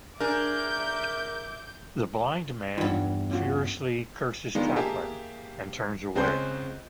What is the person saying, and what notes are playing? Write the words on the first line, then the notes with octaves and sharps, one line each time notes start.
The blind man furiously curses Chaplin and turns away.
D4 G#4 A#4 E5 D6 G6
E2 G2 D#4 F4 B5
C#4 F4 F#4
D#3 G#3 B3 D4 F4
A#3 G4 G#4 E5 A5
C#2 C4 C#4 G#4 C5 G6